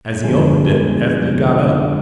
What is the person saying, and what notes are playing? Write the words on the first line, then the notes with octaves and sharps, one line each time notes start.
As he opened it, Ethne got up.
G1 F2 D3 G#3
G1 F2 D3 G#3
G1 F2 D3 G#3
G1 F2 D3 G#3